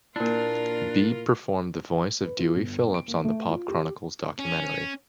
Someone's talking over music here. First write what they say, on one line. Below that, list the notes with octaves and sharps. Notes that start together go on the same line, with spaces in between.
Beebe performed the voice of Dewey Phillips on the Pop Chronicles documentary.
A#2 D4 E4 F4 A#4
B4
F4
G1
D7
A#3
A3
F4
G4
C#4